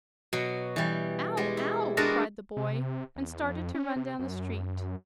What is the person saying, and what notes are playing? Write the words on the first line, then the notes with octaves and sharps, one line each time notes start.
"Ow, ow!" cried the boy, and started to run down the street.
B2 F#3
E3 G3
G3 G#3
E4
G#3 B3 D4 F#4 A#4 D5
C3
E2
F2
C#4
C3
F#2